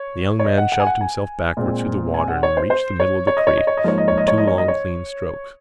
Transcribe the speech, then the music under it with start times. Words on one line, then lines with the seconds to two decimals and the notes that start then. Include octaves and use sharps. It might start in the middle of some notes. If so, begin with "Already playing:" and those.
The young man shoved himself backward through the water and reached the middle of the creek in two long clean strokes.
Already playing: C#5
0.39 C#5
0.45 D#5
0.58 F#5
0.72 F#5
0.80 G#5
0.87 F#5
1.01 G#5
1.57 A#2 G#3 C4
2.14 G#5
2.28 F#5
2.43 C#5
2.57 C5
2.70 C5
3.00 C#5
3.27 C#5
3.37 D#5
3.47 C#5
3.57 D#5
3.67 C#5
3.77 D#5
3.84 G#2 F3 A#3 D#4 C#5
3.98 D#5
4.08 C#5
4.18 D#5
4.28 C#5
4.38 D#5
4.47 C#5
4.58 D#5
4.68 C#5